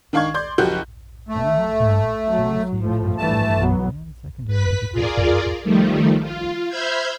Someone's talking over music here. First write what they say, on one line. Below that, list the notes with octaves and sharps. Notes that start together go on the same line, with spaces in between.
In her hometown she received his primary and secondary education.
D#3 D4 F5 C#6 G#6
D5 C6 G6
F#1 F3 F#4 G4 F#6 G6
A3
F#3
A2 F3 A3
G2 E3 A3 A5
B1 F#3 B3
B4 B6
F4 G#4 A#4 D5
D#3 F3 G3 A3
F4
C5 E5 B5 F6 G6 G#6